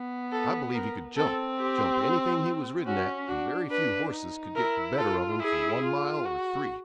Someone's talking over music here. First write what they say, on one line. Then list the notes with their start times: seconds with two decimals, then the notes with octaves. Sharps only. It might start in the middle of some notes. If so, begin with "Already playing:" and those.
I believe he could jump--jump anything he was ridden at, and very few horses could get the better of him for one mile or three.
Already playing: B3
0.32 A4
0.74 A#4
1.16 C4 A4
1.59 G4
2.86 C#4 F#4
3.28 D4 F#4
3.70 D4 B4
4.13 D#4
4.56 E4 A#4
4.98 F4 A4
5.40 E4 G#4
5.83 F4
6.25 F#4